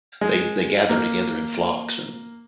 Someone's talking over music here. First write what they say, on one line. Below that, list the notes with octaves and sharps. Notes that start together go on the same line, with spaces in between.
They they gather together in flocks and
G#3
A#3